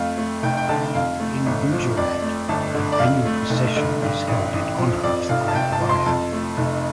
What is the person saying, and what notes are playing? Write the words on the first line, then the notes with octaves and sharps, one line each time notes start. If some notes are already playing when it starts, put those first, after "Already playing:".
In Gujarat, an annual procession is held in honor of the great warrior.
Already playing: F2 A3 F5
A3
F1 G5
G5
D3 A5
F2 F5
A3
G1
F3
F2 D5
A3
G1 A5
D3
D5
F2 F5
A3
F1
D3
G2
A1
A1
F3
F2 D5
F1 F5
A5
F1 G5
A5
F3
C6
F2 A5
A3
F1